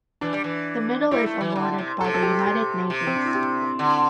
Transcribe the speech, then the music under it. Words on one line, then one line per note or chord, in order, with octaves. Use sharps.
The medal is awarded by the United Nations.
E3 D4
G3
E3
G3 E4
A3
E3
D3
C3
C3 A4
A4
G4
G4
C3
C4
D4
E4
G4
D3